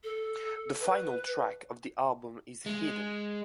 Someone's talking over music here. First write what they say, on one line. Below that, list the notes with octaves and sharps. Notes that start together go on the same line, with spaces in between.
The final track of the album is hidden.
A4
B4
G#3